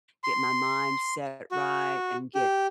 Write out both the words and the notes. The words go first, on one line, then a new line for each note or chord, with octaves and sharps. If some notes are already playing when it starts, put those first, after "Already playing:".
get my mind set right and get,
C6
F#4
G4